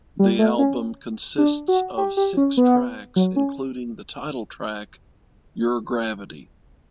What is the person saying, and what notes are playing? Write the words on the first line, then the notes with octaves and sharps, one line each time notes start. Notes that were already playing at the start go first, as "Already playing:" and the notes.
The album consists of six tracks including the title track "Your Gravity".
G3
A3
C#4
D4
F#4
G4
G4
C#4
B3
F#3
C#4